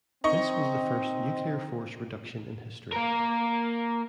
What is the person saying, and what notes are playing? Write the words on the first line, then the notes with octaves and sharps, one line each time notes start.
This was the first nuclear force reduction in history.
C4 D#4 D#5 C#6
A#3 A#4